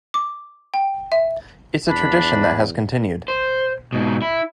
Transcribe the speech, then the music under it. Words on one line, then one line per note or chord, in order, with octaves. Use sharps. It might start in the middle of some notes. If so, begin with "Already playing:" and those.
It's a tradition that has continued.
D6
G5
E5
E2 D4 B5
C5
G#2 B2
E4